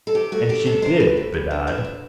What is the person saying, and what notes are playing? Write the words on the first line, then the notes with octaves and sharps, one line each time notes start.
And she did bedad.
A4
C3 G4
A3 F#4
D4 G4
C3 A4
D4 C5
A3 B4
C3
C3
D4
C3 E5
C3